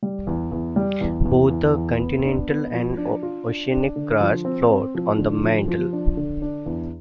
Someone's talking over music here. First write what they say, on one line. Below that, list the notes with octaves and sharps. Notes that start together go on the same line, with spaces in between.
Both the continental and oceanic crust "float" on the mantle.
G3
E2
E2
G3
E2
E2
E2
E2
B3
D4
B3
F3
D4
F4
D4
D4
D3
F3
C4
C4
F3
D3
F3
F3
D4
D3
D4
E2